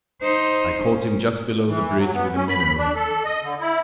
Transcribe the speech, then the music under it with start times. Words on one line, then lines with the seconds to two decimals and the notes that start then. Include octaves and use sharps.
I caught him just below the bridge with a minnow.
0.22 D#4 C5
0.82 C#4
1.67 E3
1.98 F#3
2.14 B3
2.34 C#4
2.48 B5
2.78 D4
2.95 A4
3.25 D#5
3.43 D3
3.60 E4